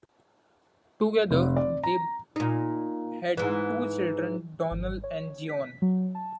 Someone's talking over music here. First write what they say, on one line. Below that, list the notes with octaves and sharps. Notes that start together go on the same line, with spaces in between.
Together they had two children, Donald and Joan.
F1
D5
A#5
A#2 D#4
G#2 E3
G#1
C#5
B6
F#3
A5